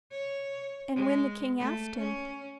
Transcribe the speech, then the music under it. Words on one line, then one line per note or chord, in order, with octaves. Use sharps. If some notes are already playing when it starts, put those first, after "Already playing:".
And when the king asked him.
C#5
G#3
A3
C#4